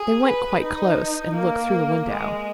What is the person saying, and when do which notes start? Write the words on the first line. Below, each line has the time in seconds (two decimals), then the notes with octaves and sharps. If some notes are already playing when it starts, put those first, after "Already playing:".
They went quite close and looked through the window.
Already playing: G#4
0.24 B4
0.62 D#4
1.35 A#3
2.09 G#3